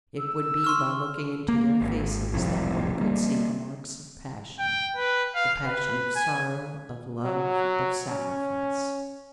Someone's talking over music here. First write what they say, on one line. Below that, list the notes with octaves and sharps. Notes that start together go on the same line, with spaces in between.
It would be by looking into their faces that one could see the marks of passion--the passion of sorrow, of love, of sacrifice.
E6
C6 C#6 F6
A#3
G#1
E1 C2 F2 A2
G3 A#3
G5
B4
F5
B4
G#5
F#3
C#4